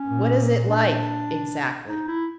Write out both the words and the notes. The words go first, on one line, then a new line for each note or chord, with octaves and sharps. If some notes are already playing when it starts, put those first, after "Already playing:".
"What is it like--exactly?"
Already playing: C#4
A#2
D4
D#4
E4